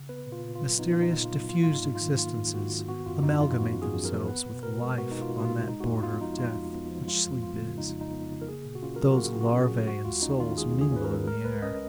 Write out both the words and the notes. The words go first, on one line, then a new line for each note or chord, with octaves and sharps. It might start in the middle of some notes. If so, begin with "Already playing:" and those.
Mysterious, diffused existences amalgamate themselves with life on that border of death, which sleep is. Those larvae and souls mingle in the air.
Already playing: C#3
B3 B4
A#2
F4
A#2
F4
F#3
B3 D#4
A#2 F4
D#4
A#2
F4
F#3
A#3 F4
G#2 F4
D#4
G#2
F4
D#3
A#3 F4
G#2
G#2 F#4
D#3
B3 F#4
F#2 F4
F#2 D#4
F3 F4
B3 F#4
F#2
G#4
F#2
A#4
F3
B3 B4
B2
B2 A#4
G#3
B3 F#4
B2 D#4
F4
B2
F4
G#3
G#3 D#4
F#4
F2 F4
B3 F4
F3 D#4
G#3 F4
F2
B3
F3
G#3 F4
F2
B3 F4
C#3
G#3 D#4
F2
D#4
B3
C#3
A#4
A#3 G#4
A#2
F#4
C#4 F4
A#4
F#3 G#4
F#4
A#3 F4
A#2
F#4
C#4
G#4
F#3
G#3 F#4
D#2 F4
C#4 D#4
D#3 F4
G#3 G#4
D#2
G#4
C#4 B4
A#4
D#3
G#3 A#4
C#2 B4
C#4 D#5